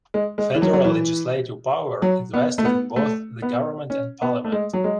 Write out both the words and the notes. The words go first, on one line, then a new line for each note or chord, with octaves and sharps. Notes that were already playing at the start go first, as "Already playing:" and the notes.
Federal legislative power is vested in both the government and parliament.
G#3
G#3
E3
F#3
F#3
E3
F#3
B3
A3
B3
A3
B3
C#4
B3
A3
G#3
F#3
G#3